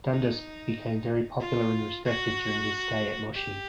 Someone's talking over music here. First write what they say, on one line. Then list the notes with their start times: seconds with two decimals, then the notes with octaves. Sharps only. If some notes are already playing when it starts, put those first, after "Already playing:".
Dundas became very popular and respected during his stay at Moshi.
0.10 D#4
1.40 F4
2.04 F#4
3.34 G4